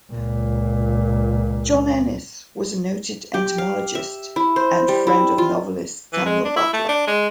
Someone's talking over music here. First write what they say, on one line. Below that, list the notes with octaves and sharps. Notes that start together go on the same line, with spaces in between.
John Enys was a noted entomologist, and friend of novelist Samuel Butler.
C#2 A#2
G4
F5
E5
E4
C5
G3
E4
F4
E3
G#3
D4
E4
A3
D4
G#3